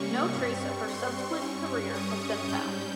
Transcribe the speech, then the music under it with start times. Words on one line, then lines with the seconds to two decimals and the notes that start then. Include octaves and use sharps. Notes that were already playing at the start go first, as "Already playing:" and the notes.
No trace of her subsequent career has been found.
Already playing: C3 G3 A#3 C#4 C#6
0.35 G2 G3 C4
0.88 C6
1.41 G2 G3 C#4 C#6
1.94 D#6
2.48 G#2 G3 C#4 G6